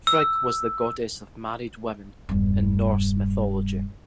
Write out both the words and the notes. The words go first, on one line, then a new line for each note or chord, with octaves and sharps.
Frigg was the goddess of married women, in Norse mythology.
E6
E1 G2